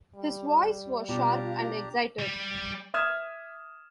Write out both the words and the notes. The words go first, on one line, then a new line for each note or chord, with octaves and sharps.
His voice was sharp and excited.
G3
B2 D4 F4 G4 A#5
G3
E5 D#6 F6 G#6 E7